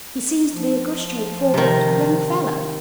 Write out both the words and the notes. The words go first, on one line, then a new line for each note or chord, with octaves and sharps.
"He seems to be a good straight-forward young fellow."
F3
C3 D#3